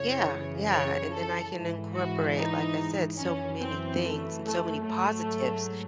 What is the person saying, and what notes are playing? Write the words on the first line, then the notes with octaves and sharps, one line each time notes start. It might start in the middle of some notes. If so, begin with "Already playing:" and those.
Yeah, yeah, and then I can incorporate, like I said, so many things and so many positives
Already playing: F#2 C#3 E3 C#5
C#5
A4
G#2 E3
F#4
D#4
F#2 E3 C#4
C4
A3
A3
G#2 F#3 A3